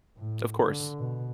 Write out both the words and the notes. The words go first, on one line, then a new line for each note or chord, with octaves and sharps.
Of course.
A2
D3
B2